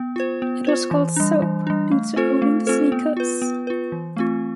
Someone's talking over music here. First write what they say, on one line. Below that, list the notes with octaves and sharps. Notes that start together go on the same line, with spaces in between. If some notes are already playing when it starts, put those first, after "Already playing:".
It was called “Soap” due to owning the sneakers.
Already playing: B3
F4 C5
B3
F4 C5
E3
G3 D4
E3
G3 D4
A3
C4 F4 A4 C5
A3
C4 F4 A4 C5
B3
F4 B4
B3
F4 B4
E3
A3 C4 F4